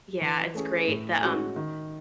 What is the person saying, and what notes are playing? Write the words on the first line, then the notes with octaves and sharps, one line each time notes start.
Yeah, it's great. The, um,
E3
A3 C#4 G#4
A2
G#3 C#4 F#4
D#3